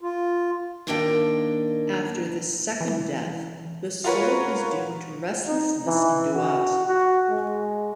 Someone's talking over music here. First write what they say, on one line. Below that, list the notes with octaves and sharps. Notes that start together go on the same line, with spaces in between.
After this "second death", the soul is doomed to restlessness in Duat.
F4
D#2 A#3 D4 D#5 F#5 G5
E3
F4 F#4 A#4 B4 C#5
D#4
E3
F#4
F#4
G#3